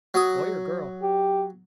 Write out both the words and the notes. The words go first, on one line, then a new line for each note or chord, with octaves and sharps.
"Boy or girl?"
F#3 D#6
G4